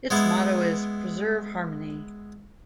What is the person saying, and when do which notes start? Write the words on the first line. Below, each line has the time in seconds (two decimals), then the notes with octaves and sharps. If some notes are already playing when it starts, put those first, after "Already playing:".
Its motto is "Preserve Harmony".
0.10 G#3 B3 E4